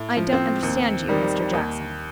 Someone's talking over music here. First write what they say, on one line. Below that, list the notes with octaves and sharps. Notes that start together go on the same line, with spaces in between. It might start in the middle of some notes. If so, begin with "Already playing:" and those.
'I don't understand you, Mr Jackson.'
Already playing: A2
F3
C4
D#2
D#3 G3
D#2